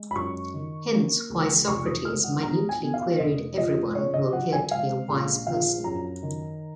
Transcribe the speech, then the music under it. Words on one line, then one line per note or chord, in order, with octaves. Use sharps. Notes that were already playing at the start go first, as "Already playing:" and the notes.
Hence why Socrates minutely queried everyone who appeared to be a wise person.
Already playing: G#3
B5
F#2 C#6
D#3
A#3
C#2
F1 C#6
D#6
G#3 F6
F#5
B1 A#5
G#5
B2
F5
F1 D#5
F3 D#5
C#3 C#5
D#5
F#3 F#5
G#5
G#3 F5
A#1
F3 F5
F#2 A#5
D#3